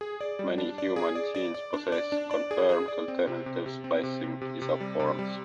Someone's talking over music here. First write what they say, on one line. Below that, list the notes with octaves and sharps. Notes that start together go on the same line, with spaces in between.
Many human genes possess confirmed alternative splicing isoforms.
G#4
D5
G3
D4
D5
G#4
D5
D5
D5
D4
D5
D4
D5
G#4
G#4
D5
C4
C3
C3
C3
C4
C3
C3
C3
C3
G3
C3
G3